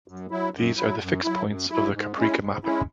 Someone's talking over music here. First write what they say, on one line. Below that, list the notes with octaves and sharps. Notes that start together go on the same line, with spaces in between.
These are the fixed points of the Kaprekar mapping.
F#2
F#3 E4
F#2
F#3 E4
F#2
F#3 E4
F#2
F#3 E4
G#2
G#3 C#4 E4
G#2
G#3 C#4 E4